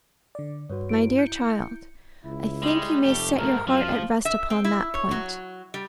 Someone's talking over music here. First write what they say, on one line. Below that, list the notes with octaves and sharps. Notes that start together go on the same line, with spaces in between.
My dear child, I think you may set your heart at rest upon that point.
D3 D5
G2 F#4 B4 C#5
E4 D7
G6 C#7
C#2 E4
G3 G#3
F1 A3 G4
C#2 G#2 A#4
F#2 F3 F4 F5
E5
C4
E4
C#5
F#3
G3